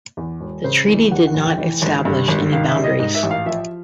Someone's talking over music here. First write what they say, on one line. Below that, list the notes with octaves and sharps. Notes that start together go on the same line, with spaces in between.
The treaty did not establish any boundaries.
E2
E1
C#3 C5
E3
D#2 F#5
F#5
F1
G5
E3
G#1
G2
G#1
D#3 F5
E5
G3
D#5
G#2 D#5
E5
A1
F5
F3 E5